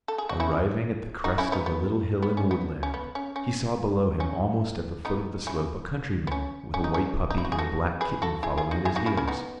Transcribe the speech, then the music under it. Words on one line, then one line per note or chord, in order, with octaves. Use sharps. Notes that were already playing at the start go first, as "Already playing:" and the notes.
Arriving at the crest of a little hill in the woodland, he saw below him, almost at the foot of the slope, a countryman with a white puppy and a black kitten following at his heels.
A4
G#4
F#4
C#4 E4
D#4 F#4
C#4 E4
B3 D#4
B3
B3
C#4
B3
C#4
B3
C#4
C#4
C#4
B3 D#4
C#4 E4
B3
C#4
C#4
D#4
C#4
D#4
E4
F#4
G#4
F#4 A4
G#4 B4
F#4 A4
E4 G#4
E4 G#4
D#4 F#4
E4 G#4
D#4 F#4
C#4 E4
C#4 E4
B3 D#4